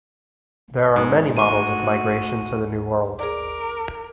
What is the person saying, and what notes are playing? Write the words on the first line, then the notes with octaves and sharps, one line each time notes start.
There are many models of migration to the New World.
G#2
G#3 A3 F#4 C#6 D#7
G#4 A#4 D5 D6